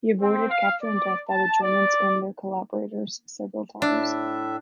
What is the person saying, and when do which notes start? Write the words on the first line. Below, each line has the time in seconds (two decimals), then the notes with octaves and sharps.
He avoided capture and death by the Germans and their collaborators several times.
0.21 C4
0.50 F5
0.82 D5
1.29 A5
1.62 D5
3.82 A2 D4 E5